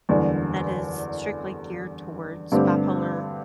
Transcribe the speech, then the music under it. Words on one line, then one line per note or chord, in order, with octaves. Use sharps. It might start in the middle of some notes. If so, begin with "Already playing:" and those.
that is strictly geared towards bipolar
F#1 E2 D3 G3
G2 D3 A3 C4 G4